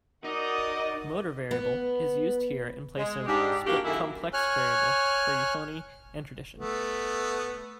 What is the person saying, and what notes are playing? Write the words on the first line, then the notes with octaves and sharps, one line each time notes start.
"Motor variable" is used here in place of "split-complex variable" for euphony and tradition.
D#4 F#4 A#4 D5 D#5 F#5
B3
G#3
G#2 D4 G4
A#3 D4 F#4 G4
F#2 D#3 A#3 E4 A4 E5
C#5 G#5 F6 F#6
A3 B3